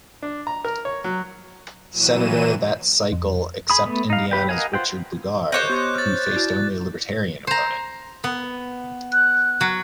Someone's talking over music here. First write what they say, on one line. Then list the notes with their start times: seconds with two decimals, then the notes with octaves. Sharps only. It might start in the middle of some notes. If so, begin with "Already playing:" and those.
Senator that cycle except Indiana's Richard Lugar, who faced only a Libertarian opponent.
0.22 D4
0.47 A#5
0.65 A#4
0.85 C#5
1.04 F#3
1.90 A#2 E3 F#3 D#7 E7
3.12 F2
3.70 G#4 B5 D#6
3.85 A3 B3
4.10 D#4 F5
4.31 G4 B4 G5
4.49 A#4 D#5 F5 F#5 G#5
4.74 F4 C5 F#5 G5
5.52 C5 C#5 D#5 D6 F#6 G6
5.69 B3 G4
5.95 C#6 D6 F6 A6
6.32 E4 F#4 D5
7.47 C5 A#5
8.24 B3
9.12 F#6
9.61 F#3